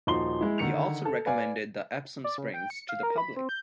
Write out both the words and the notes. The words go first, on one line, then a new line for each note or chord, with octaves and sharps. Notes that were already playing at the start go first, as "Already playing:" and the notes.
He also recommended the Epsom springs to the public.
D#1 F3 D#4 F#4 C6 G7
G#3 E4
D3 D#3 C#7 F7
A4
B4 D5 F5 G#5
D5
C#3
G5
C#7
F5
A#4
B5
C4
G6